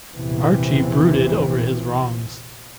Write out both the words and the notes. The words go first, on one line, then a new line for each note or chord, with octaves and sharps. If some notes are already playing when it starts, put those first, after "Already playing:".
Archie brooded over his wrongs.
A#1 E2 C3 E3 C4